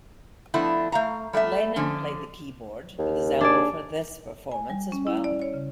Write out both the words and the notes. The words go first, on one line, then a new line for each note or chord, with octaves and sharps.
Lennon played the keyboard with his elbow for this performance as well.
F3 A3 B3 D4 E4
A3 F5 A#5
G3 A3 B3 E5
D3 F3 C#4
D#2
D4 G#4 D5
G#5
G3
C#4
E4
D5
C#5
C#3